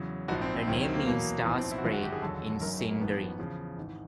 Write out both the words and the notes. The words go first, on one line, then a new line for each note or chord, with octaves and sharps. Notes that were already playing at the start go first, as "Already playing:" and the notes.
Her name means "Star-spray" in Sindarin.
Already playing: E2 C#3 F#3
A#1 G#2 F3 F#4
C4
C4
D2 C3 D#3 F#3 C4
C4
A#3
E2 B2 F#3 A#3
B1 A2 F3 B3
C4
E4
F#4
G#1 F#2 D3 F#3 F4
F#4
G4
G#4
E1 D#2 D3 F#3 A4
G1 F#2 D#3 F#3 A#4
A#3
A1 G#2 F3 B3
E2 C#3 F3
G#1 G#2 E3